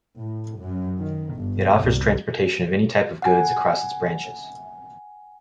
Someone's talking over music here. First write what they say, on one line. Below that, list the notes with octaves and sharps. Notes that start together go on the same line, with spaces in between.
It offers transportation of any type of goods across its branches.
A2
F#2
D#3
G1
C2
F#5 G#5